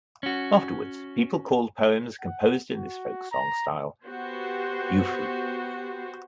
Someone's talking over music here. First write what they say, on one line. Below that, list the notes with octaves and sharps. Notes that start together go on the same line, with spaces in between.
Afterwards, people called poems composed in this folk song style "yuefu".
C#4 F#4
F#5
F#4
A#5
B3 F#4 G4 C5